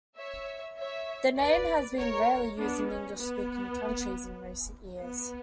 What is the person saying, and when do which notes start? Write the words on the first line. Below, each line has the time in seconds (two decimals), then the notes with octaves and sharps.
The name has been rarely used in English-speaking countries in recent years.
0.17 C#5 E5
0.78 C#5 E5
1.38 B4 D5
1.98 A#4 C#5
2.58 B3 D4
2.88 C#4
3.18 B3
4.99 B3